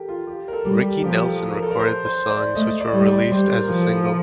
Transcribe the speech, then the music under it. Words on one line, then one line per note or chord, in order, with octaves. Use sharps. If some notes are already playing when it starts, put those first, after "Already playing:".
Ricky Nelson recorded the songs which were released as a single.
Already playing: G4 A4 A#4
F4
G4
A#4
A4
G3
G4
F3 G4
A4
A#4
A4
A#4
C5
C5
D5
A3 D#5
D5
G3
D5
G3 C5
A#4
F3
A4
C5